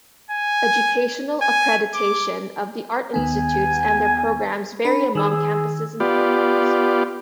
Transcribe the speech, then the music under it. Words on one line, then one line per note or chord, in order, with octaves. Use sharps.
Educational accreditation of The Art Institutes and their programs varies among campuses and programs.
G#5
G#5
D6
D#2 D#3 B3 G#5
D4 A#4 B5
D#3 G#4 E6
B3 F4 G4 D5